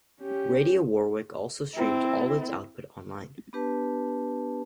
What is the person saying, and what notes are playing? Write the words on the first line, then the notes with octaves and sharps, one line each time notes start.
Radio Warwick also streams all its output online.
C#4 G4
C4 E4
B3 D4 G4 B4 A5